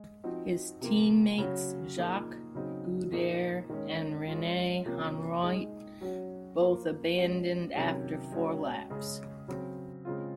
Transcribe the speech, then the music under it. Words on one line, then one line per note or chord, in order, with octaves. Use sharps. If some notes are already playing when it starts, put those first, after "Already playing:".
His team-mates Jacques Guders and Rene Hanriot both abandoned after four laps.
Already playing: G#3
F3 C4 D#4 F#4
C3 F3 A#3 F4
C#3 F#3 C#4 F#4
A#2 F3 A#3 D#4 G#4
C#3 F#3 C4 D#4
A#2 F3 A#3 D#4 G#4
D#3 G#3 C#4
G#3 C#4 F4
C3 F3 A#3 C#4
G#3 D#4 G#4
F#3 C#4 F#4
F3 A#3 F4
G#3 C#4 F#4
C3 D#3 F#3 C#4 G#4
G#3 C#4 F#4
C#3 G#3 C#4 G#4
C#3 F#3 C4
C#3 G#3 C4 F4